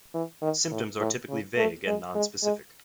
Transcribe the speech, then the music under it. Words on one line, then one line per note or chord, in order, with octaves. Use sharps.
Symptoms are typically vague and non-specific.
E3
D#3
A2
A2
C#3
A3
G#3
G#3
G#3